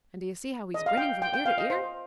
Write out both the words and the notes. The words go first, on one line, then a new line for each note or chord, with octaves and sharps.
And do you see how he's grinning from ear to ear?
D#5
F5
G5
G5
G5
F5
D#5
C5